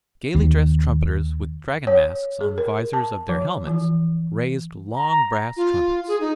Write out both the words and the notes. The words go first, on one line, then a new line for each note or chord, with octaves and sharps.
Gaily dressed trumpeters with dragon masks on the visors of their helmets raised long brass trumpets.
D#2
C#5
G#4
A#4
A5
F3
E3
A#5
F4
G#4
D#4